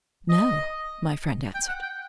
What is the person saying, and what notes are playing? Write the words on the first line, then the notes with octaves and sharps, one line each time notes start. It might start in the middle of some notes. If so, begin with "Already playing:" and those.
"No," my friend answered.
D#5
G5
F#5
G5